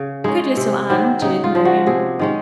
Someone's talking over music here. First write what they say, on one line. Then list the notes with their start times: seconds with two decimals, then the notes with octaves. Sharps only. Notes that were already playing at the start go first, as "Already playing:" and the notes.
"Good little Anne," jeered Miriam.
Already playing: C#3
0.24 G#3 C#4 D#4
0.57 C3
0.90 D#3 F#3 C4
1.22 C#3 D#4
1.44 F4
1.55 F3 G#3
1.65 F#4
1.87 C3 G#4
2.19 D#3 G#3 C#4